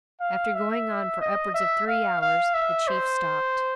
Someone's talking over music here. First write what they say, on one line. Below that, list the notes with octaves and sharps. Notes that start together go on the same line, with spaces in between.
After going on for upwards of three hours, the chief stopped.
F5
E5
D#5
E5
F5
F5
E5
C5